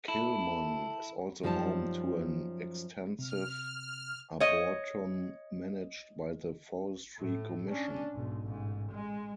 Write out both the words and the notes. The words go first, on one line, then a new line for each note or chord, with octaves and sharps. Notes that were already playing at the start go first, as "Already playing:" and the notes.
Kilmun is also home to an extensive arboretum managed by the Forestry Commission.
E4 A4
F#2 F3 G3 D#4 G#5 A5
C3 F6
C#5 D#5
A2
C#4 D4
B1 G#2
A1 G#2
G#3